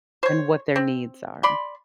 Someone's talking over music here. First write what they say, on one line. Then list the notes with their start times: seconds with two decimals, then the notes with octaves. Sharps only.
and what their needs are.
0.23 C5 C#5
0.76 C4
1.43 D5 B5 C6